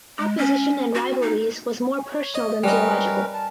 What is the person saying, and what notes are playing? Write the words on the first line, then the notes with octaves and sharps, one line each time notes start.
Opposition and rivalries was more personal than theological.
G#3
C#4
F#4
D#4
C#5
D#5
G3 C#4 A#4 B4 D#5
A5